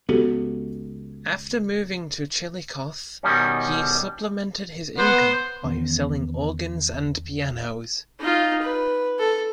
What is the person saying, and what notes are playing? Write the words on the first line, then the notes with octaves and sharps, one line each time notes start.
After moving to Chillicothe, he supplemented his income by selling organs and pianos.
C#2 B3 F#4 G4 A4
B2 D#3 G3 C#4
B3 C5 F#5
E2 D#3 B3 C#4
D#4 F4
B4
A4